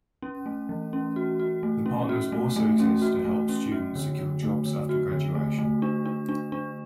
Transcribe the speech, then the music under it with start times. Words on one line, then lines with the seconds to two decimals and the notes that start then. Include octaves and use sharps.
The partners also exist to help students secure jobs after graduation.
0.22 C#4
0.46 A3
0.69 E3
0.93 C#4
1.16 F#4
1.40 F#4
1.63 A3
1.86 C#4
2.09 F#4
2.32 A3
2.56 A3
2.80 C#4
3.02 F#4
3.25 A3
3.49 C#4
3.72 F#4
3.96 D3
4.19 D3
4.43 A3
4.65 D3
4.89 F#4
5.12 D3
5.35 A3
5.59 A3
5.82 D4
6.06 D4
6.29 D4
6.52 D4